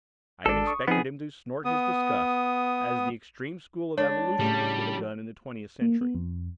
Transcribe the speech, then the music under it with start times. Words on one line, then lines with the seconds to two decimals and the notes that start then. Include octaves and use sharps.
I had expected him to snort his disgust, as the extreme school of evolutionists would have done in the Twentieth Century.
0.46 G#1 G#3 D4 A4
0.66 C#6 D#6
0.88 F3 B3 C4 D#4 G#4
1.65 B3 D#6
3.98 G#3 D4 C#5
4.40 A2 C#3 G3
5.81 A#3
6.01 B3
6.15 F2